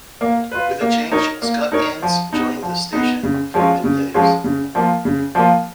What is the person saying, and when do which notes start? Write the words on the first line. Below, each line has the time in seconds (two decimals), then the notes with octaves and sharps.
With the change, Scott Innes joined the station for middays.
0.21 A#3
0.51 F4 B4
0.81 A#3
1.12 D#4 A#4 C#5
1.42 A#3
1.72 D#4 A#4 C#5
2.02 F3
2.33 B3 D#4
2.62 F3
2.93 B3 D#4
3.23 C#3
3.54 F3 G#3 C#4 F4
3.84 C#3
4.14 F3 G#3 C#4 F4
4.44 C#3
4.75 F3 A#3 F4
5.05 C#3
5.35 F3 A#3 F4